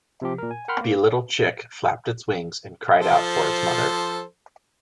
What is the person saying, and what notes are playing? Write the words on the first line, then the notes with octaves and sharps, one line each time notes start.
The little chick flapped its wings and cried out for its mother.
C3 F3 G4
A#2 A#4
G#5
A#4 F#5 G5 B5 C6 F6
A#3
F3 A4 C5